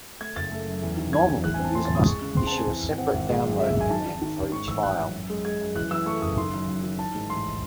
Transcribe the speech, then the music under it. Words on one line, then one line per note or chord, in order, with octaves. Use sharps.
Normally, the user must issue a separate download command for each file.
A3 G#6
F#1 A6
A3
F#2
E2
D#3
E2 G#6
E2
A1 F#6
G#5
C4
A5
A2 C6
A6
C4 D#6
G#3 C#6
C#3
C4 C6
A5
C4
G#5
E3
G#1
C4 F#5
G#1
G#3
F#2
G#3 E5
E5
F#2
G#5
D#3 A5
D#3
D#3
C#4
G#2 C#6
A1 E6
G#2 F#6
F#3
F#2
G#3
G#3 G#6
F#2
E3 F#6
E3 E6
A3 C#6
F#1 D#6
D#3 C6
F#2
F#2
D#3
E3 A5
G#2
A1 C6